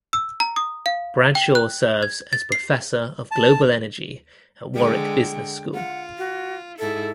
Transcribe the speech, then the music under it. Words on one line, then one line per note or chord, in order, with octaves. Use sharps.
Bradshaw serves as Professor of Global Energy at Warwick Business School.
E6
A#5
D#6
F5
G5
F#6
G#6
A6
C7
A5
D3 G#3 G5
F4 F#5
F#4
G#2 E4 A4